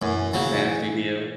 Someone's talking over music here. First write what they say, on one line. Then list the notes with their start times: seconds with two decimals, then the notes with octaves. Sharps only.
Just nasty to
0.02 F#2 E3
0.34 C#3 F#3
0.54 E3